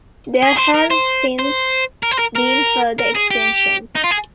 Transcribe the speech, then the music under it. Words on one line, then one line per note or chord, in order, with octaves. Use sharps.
There have since been further extensions.
G#4
C5
A#4
C5
C5
A#4
C5
A#4
A#4
A#4
G#4
G4
D#4
F4
G#4